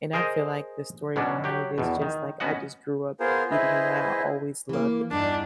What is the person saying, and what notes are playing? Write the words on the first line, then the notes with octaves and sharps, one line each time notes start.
and I feel like the story behind it is just like I just grew up eating that, always loved
G#4 A#4 C5 D#5
B2 F#3 C#4 D4
F#3 G4
E2 B2
D#3
B3 C#4 F#4 D#5 F#5
B3 F4 G#4 A#4 C5
E4 G#4 B4 C5 D#5 E5
E3 A#3
E2 G2 D4 D#4